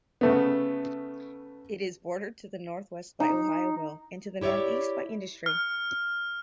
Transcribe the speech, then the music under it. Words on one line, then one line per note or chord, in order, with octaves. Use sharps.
It is bordered to the northwest by Ohioville and to the northeast by Industry.
C#3 A3 B3
D#4
E4 G4 C#5 D5 E5
F6